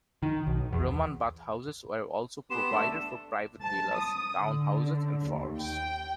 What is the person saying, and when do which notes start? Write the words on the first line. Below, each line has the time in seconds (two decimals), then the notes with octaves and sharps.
Roman bath-houses were also provided for private villas, town houses, and forts.
0.23 D#3
0.47 B1
0.73 E2
2.50 B3 G4 C6 E7
2.72 A3 D4 A4
3.62 A5
3.95 D#6
4.37 D3
5.26 D#2
5.59 G5